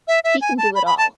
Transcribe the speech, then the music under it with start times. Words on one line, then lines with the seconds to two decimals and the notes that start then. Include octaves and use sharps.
He can do it all.
0.08 E5
0.24 E5
0.41 G#5
0.58 A5
0.75 B5
0.86 B5
0.98 A5